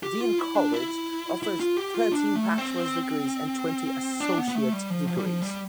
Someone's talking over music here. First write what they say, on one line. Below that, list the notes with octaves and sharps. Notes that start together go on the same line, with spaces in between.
Dean College offers thirteen bachelor's degrees and twenty associate degrees.
G4
F4
E4
D4
E4
E4
F4
G4
F4
D4
A3
C4
D4
B3
B3
A3
G3
F3
F3
G3
F3
G3